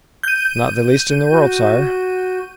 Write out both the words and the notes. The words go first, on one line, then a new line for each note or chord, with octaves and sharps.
"Not the least in the world, sire."
G6 D#7
F#4